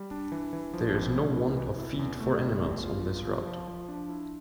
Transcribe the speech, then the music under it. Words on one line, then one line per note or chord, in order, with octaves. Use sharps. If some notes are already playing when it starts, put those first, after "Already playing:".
There is no want of feed for animals on this route.
Already playing: G3
D4
E3
E3
F3
F2
A2
E3
E3
E4
E2
A3
G3
E2
F4
F4
F3
F3
F3
D4
E4